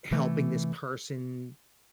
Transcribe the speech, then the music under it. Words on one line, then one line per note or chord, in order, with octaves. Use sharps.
helping this person
C3 E3 A3